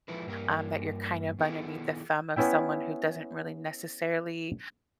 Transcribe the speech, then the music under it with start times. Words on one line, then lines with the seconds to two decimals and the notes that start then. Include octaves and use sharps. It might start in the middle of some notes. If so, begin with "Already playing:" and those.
um, that you're kind of underneath the thumb of someone who doesn't really, necessarily,
0.08 F3 G#3 E4 A4 B4
0.26 G2 A#3 A#4
1.39 D#3 B3 E4 G#4 A4
2.36 B3 C#4 E4 E5 G5